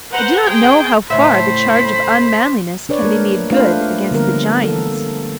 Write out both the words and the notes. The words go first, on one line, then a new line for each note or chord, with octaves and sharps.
I do not know how far the charge of unmanliness can be made good against the Jains.
B4 C5 F#5 A#5
G#4 C5 G5
A2 C#3 C5 E5 B5
D4 B4 C#5 D5
A3 A#3 A#4
A3 D4 F4 B4 C5 F5
D3 F3 G3 A#3 B3 A#4
A4